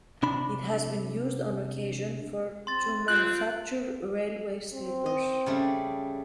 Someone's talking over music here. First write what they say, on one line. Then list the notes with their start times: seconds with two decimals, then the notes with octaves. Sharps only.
It has been used on occasion for to manufacture railway sleepers.
0.23 C3 D4 B5
2.67 C4 C6 A6
3.08 C4 F4 F#6
4.74 C4
5.06 D#5
5.46 C#3 G3 A3